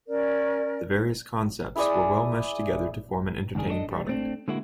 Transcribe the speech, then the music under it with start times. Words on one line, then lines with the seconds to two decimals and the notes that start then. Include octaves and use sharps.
The various concepts were well meshed together to form an entertaining product.
0.07 C#4 A#4 D5
1.76 E4 G#4 D5 D#6
3.55 C#2 G#2 D#3 D4 G#4
3.68 D4 A4 C#5 D#5
3.91 G3
4.07 A3 C4 D4
4.48 D3 G#3 A#3 E4 F#4